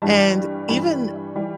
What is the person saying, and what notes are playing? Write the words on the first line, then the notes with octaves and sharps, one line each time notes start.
and even
G2 E3 G3 A5
G2 E3 G3 B5
E3 G3